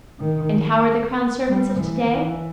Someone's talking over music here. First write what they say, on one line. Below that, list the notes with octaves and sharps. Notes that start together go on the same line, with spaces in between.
And how are the crown servants of to-day?
D#3
G3
E3
E3